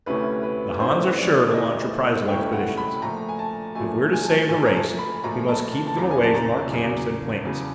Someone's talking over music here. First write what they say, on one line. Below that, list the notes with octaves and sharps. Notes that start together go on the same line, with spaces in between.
The Hans are sure to launch reprisal expeditions. If we're to save the race we must keep them away from our camps and plants.
D2 C3 E3 A3 C#4 B4
B4
D2 C3 E3 A3 C#4 C5
D5
D2 C3 E3 A3 C#4 D#5
D2 C3 E3 A3 C#4 G5
F#5
B5
A#2 F3 A3 A#5
G#5
A5
A#2 F3 A3 G#5
G#5
A5
G#5
A#2 F3 A3 G#5
A#5
A5
B5
A#2 F3 A3 A#5
A5
A5
A5
E2 C#3 F#3 A#5
G#5
A5
A#5
E2 C#3 F#3
E2 C#3 F#3